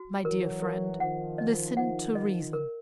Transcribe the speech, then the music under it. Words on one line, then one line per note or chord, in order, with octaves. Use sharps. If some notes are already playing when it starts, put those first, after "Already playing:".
"My dear friend, listen to reason."
Already playing: F#4
E3 F#3 A#4
A#4
D#3 F3 F#5
D#5
D#3 F3 F#5
D#5
A#4